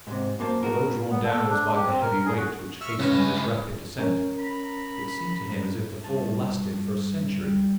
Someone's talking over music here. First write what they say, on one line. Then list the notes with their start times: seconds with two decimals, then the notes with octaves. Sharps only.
Although drawn downwards by the heavy weight which hastened his rapid descent, it seemed to him as if the fall lasted for a century.
0.07 G#2 C3
0.39 F#2 A#3 C5 A5
0.63 B2 F#4 A#4
1.11 B3
1.24 A4
1.49 D4
1.74 G4
1.87 C4
2.01 A#4
2.26 G#4
2.37 F#4
2.81 E5 C#6 F6
2.99 C#2 C#4 B4 A#6 E7
3.18 G#5
3.98 C#4 A#4
4.39 A#5 B5
6.03 G2 A5
7.37 G3